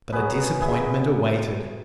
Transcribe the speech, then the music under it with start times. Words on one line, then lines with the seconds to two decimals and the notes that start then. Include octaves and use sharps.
But a disappointment awaited.
0.12 B2 F#3 G#4 B4
0.61 E4 G#4